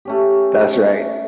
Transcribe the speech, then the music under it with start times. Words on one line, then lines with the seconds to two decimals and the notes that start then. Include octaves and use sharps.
That's right.
0.05 A3 C#4 G4